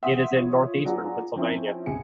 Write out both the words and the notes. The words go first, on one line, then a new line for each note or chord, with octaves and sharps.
It is in northeastern Pennsylvania.
E5 F#5 G5 C6 D#6
F4 C#5 E5
F#3 B3 D4 F4 G#4 F#5
F3 C4 C#4 E4
C#2 B2 G#4 C#7